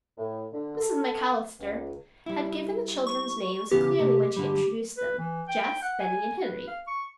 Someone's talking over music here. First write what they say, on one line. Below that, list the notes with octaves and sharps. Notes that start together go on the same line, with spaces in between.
Mrs. McAllister had given the children's names clearly when she introduced them--Jess, Benny, and Henry.
A2
D3
A4
C#2
G3 E4
C#6
C#3 E3 B3 G4
C3 A3 A#3
D3 G3
B4
E3
G5
F#5
G#5
B4
F5
C#6